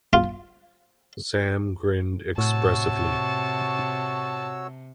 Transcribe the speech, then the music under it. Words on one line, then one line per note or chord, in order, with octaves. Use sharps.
Sam grinned expressively.
F4
A2 C3 F#4 C#5 A5 E6